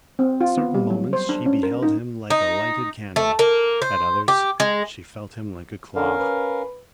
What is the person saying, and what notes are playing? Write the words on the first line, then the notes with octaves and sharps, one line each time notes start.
At certain moments she beheld him like a lighted candle; at others she felt him like a claw.
C4
F4
B3
G3
F#3
C5
D4
C#4
A#4
D#4
D#4
A3
A#3
C5
G4
G#3
D3 C#4 A#4 F5
B4